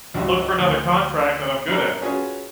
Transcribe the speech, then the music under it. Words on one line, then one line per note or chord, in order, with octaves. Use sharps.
look for another contract that I'm good at.
G#1 C#2 G2 F#4 G4
D2
F#2 D4 A#5
C#4 F4 F#4 G#4 B4 C#5